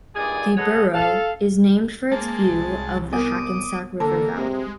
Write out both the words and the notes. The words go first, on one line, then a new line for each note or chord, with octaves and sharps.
The borough is named for its view of the Hackensack River valley.
G2 A#2 D#4 G#4 D5 G#5
G#4 A4 B4 C#5 D#5 F#5
A4 F5
G#3 A#3 A5
C2
B3 A#4 D6 D#6
D3 A#3 A4 A5
C3 G#3